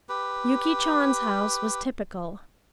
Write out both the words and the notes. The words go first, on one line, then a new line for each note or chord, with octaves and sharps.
Yuki Chan's house was typical.
G4 B4